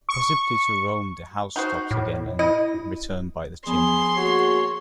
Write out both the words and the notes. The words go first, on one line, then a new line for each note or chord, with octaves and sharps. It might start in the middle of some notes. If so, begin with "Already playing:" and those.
Possibly to roam the house-tops again and return by the chimney.
C#6
D#4 F#4 C5
A2
E4 D#5
F3 B3 G#4 B5 C6
A#3 F#4 G#4 C#5 F#5